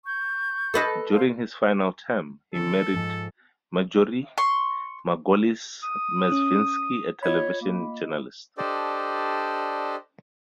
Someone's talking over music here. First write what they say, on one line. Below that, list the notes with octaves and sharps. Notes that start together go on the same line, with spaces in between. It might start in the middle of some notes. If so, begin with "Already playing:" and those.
During his final term he married Marjorie Margolies-Mezvinsky, a television journalist.
C#6 G6
A4 B4 D#5
C5 F5
D3 E3 C#4 A4
G#2 F3
C6 C#6
D#6
C#4
F4 C#5 D#5 B5
A#3
D4 G4 A4 C5 D5 D#5